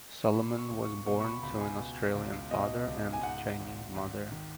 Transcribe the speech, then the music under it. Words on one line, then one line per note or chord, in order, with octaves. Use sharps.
Solomon was born to an Australian father and Chinese mother.
C#6
B2 B5
C#6
C#2
C#6
B2 C#6
C#6
B5
C#2 B5
G#5
B2
C#2
B2 D#5
C#2
G#5
G#2 F#5
G#1
G#1
D#3